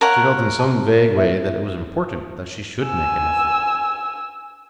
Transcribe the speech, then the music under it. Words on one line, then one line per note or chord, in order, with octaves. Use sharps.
She felt in some vague way that it was important that she should make an effort.
A#4 C#5 F5 F#5 A5
A5 C6
E4 E5
G#5 E6